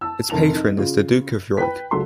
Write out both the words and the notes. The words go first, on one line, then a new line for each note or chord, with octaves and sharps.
Its Patron is the Duke of York.
A5 E6
F1 A#4 A5 F7
D#4
C#3 F4
B4 G5 F#6 B6
C#2 F#3 A4 C6